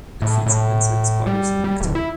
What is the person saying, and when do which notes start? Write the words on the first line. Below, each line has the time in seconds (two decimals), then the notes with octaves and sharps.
It feeds on insects, spiders and nectar.
0.22 A2
0.46 A2
1.27 G3
1.64 G3
1.80 D1
1.95 E4